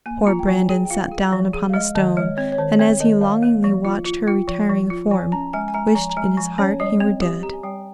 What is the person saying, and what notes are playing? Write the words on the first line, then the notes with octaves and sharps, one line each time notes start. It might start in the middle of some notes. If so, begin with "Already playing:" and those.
Poor Brandon sat down upon a stone, and, as he longingly watched her retiring form, wished in his heart he were dead.
A#3 G#5
F4 A#5
G5
F3 G#5
G#4 G5
G5
F4 F5
G#4
F3
G#4
F5
G#3 D#5
D#3 D#5
G#3 C#5
C4 C#5
C#5
D#3 C5
C4 C#5
D#3 D#5
D#3 F5
A#3
F3
F4
F4
F4 G5
F3
F3
F4
F3 G#5
C#4 A#5
G#3 G#5
G#5
G#3 A#5
G#5
F3 A#5
A#5
G#3 G#5
F3 G#5
C#4 C#5
G3 D#5
C4
G4
G4 A#5
G#5
G3 G5